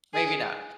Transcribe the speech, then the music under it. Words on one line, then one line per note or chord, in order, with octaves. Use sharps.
Maybe not.
G#4